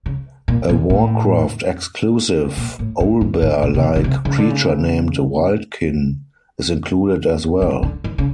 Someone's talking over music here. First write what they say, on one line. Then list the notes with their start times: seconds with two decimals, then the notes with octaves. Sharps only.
A "Warcraft"-exclusive owlbear-like creature named wildkin is included as well.
0.06 C#3
0.48 A#2
0.69 A#2
0.90 A2
2.57 A#2
2.79 A2
3.00 A2
3.21 G#2
3.42 A2
3.63 A#2
3.74 C3
3.83 B2
3.96 C#3
4.04 C3
4.25 C#3
4.38 D3
4.50 C#3
7.62 D3
7.83 D3
8.04 D#3
8.18 C#3